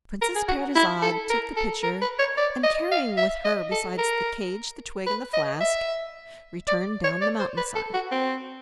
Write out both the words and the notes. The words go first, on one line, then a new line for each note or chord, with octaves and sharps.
Princess Parizade took the pitcher, and, carrying with her besides the cage the twig and the flask, returned down the mountain side.
A#4
G#4
F#4
E4
A4
A#4
A4
A#4
B4
C#5
D5
D#5
F5
E5
D#5
A4
A#4
B4
D#5
E5
D5
C#5
D5
C5
B4
A4
F#4
C4